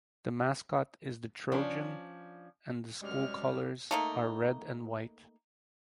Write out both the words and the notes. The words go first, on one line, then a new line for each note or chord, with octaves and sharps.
The mascot is the Trojan and the school colors are red and white.
F3 C#4 D4
F#2 C3 G3 G#3 C#4 F6
A3 A#3 D#4